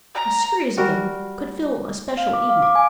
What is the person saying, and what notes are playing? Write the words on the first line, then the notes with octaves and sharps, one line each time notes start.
A series of them could fill a special evening.
A#5
G3 F#4 A#4
F5
D6
F5
D6
G#5